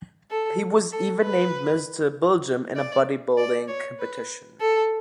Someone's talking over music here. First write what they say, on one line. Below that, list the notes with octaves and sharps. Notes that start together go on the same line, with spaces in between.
He was even named "Mr. Belgium" in a bodybuilding competition.
A4
A4
B4
D5
D5
C#5
B4
A4